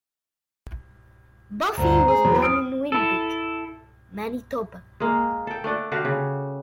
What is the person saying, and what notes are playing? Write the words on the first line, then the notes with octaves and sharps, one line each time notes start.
Buffie was born in Winnipeg, Manitoba.
D2 G2 D3 C5 A#5
G#4
E2 F#3
C5 D#6 F6 D7
E4 A4
G#3 A#3
A4 G5
A3 D4 D5 F#5
D3 F#4 G4 F5
C#3